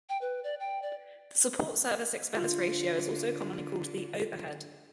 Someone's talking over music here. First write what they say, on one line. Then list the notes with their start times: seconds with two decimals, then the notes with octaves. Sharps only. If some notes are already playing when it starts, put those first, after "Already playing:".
The support service expense ratio is also commonly called the "overhead".
0.09 G5
0.21 B4
0.44 D5
0.60 G5
0.82 D5
2.37 D3 F4